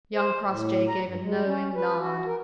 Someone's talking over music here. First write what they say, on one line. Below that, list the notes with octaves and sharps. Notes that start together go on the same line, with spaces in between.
Young Crossjay gave a knowing nod.
C5
A2
A#5
G2
G#3
C#4
B4
F#4
A#4